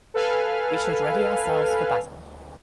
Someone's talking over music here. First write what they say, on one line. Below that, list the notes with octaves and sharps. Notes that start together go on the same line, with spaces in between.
We should ready ourselves for battle.
A4 B4 F5 G#5 F6